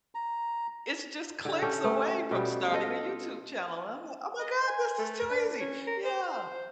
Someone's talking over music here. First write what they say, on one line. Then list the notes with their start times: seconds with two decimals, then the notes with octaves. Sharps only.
it's just clicks away from starting a YouTube channel. And I'm like, "Oh my God, this is too easy." Yeah.
0.15 A#5
1.45 D3
1.62 C#4 G4 A4
1.84 A3
2.31 B2 G3
2.72 F4 A4 D#5
4.39 D#5
4.67 G#5
4.99 A3
5.30 D4
5.60 C#4
5.87 A#4
6.04 C5
6.32 C5